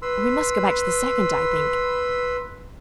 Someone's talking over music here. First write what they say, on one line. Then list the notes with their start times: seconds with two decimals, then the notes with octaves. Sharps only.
'We must go back to the second, I think.
0.02 B4 B5 C6 E6